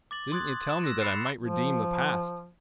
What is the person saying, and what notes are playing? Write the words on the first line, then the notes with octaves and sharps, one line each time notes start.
Didn't ye tell me that I might redeem the past?
D6 A6 F#7
C6 D#6 F#6 G#6 A6
E7
E6 F#6 A#6
B5 F#6 A6 C7 C#7 E7
F3